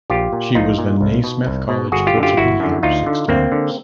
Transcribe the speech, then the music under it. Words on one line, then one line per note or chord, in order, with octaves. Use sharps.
She was the Naismith College Coach of the Year six times.
A#1 F4 G4
A#2
A#1 D#4 F4
A#2
C2
B2
C2
B2
G1 F#4 G#4
F4 G4
F#2 D3
F4 G4
G1 E4 F#4
F#2 D3
D2 D#4 F4
D3
D2 A#3 C4
D3